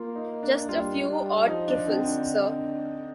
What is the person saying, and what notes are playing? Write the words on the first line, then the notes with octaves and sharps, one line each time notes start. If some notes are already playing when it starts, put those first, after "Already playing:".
Just a few odd trifles, sir.
Already playing: A#3 F4
D#4
D4
G3 F4
G3
F3 D#4
D4
D3 C4
D4